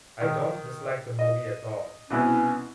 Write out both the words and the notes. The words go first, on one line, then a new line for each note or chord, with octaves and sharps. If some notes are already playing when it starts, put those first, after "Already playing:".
I don't dislike the movie at all.
D#3 F6
D#5
C2 B2 E3 C#4